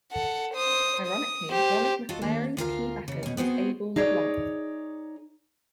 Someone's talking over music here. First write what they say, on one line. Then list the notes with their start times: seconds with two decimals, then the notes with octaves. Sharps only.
Ironically, one of McAlary's key backers was Abel LeBlanc.
0.12 A4 F#5
0.54 C5 D#6
1.07 D#6
1.52 G4 C5
2.09 F4 F#4 A4 D#5
2.22 D#2 A#3 D4
2.57 D2 F4 A#4 F5
3.08 D#2 C#3
3.23 B2 C#4
3.37 B3 C4 F#4 G#4 C5
3.96 D#4 G#4 C#5 D5